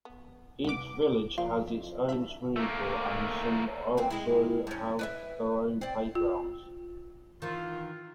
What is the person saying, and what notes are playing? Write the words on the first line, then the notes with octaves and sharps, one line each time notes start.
Each village has its own swimming pool and some also have their own playgrounds.
B3
C2 B4 F#5 D6
A#2 F3 F5
F2 E4
C2 D4 E5
A3 A#3
D#2 C4
G#3 E4
G2 C#4
B4 D5 E5
C4 D5
F4
D#3 E3 F4